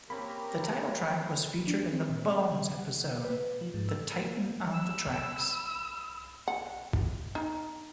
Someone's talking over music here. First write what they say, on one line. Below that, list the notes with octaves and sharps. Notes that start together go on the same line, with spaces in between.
The title track was featured in the "Bones" episode The Titan on the Tracks.
A#3 C4 C#4 G4 A#4 B5
D4
C4
A#2
G#3
G3
F#5
B4
F3
G#2
E6
A#4
B5 E6
F#5
D#4